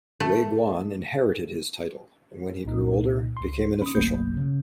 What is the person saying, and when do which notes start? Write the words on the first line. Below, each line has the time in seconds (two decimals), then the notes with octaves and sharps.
Wei Guan inherited his title, and when he grew older became an official.
0.20 A3
2.65 C2 A#2 D#4
3.37 C#2 C6
3.82 C#4 B5 D#6
3.95 F#1 B1 B2 A3 A#3 G6
4.37 C#3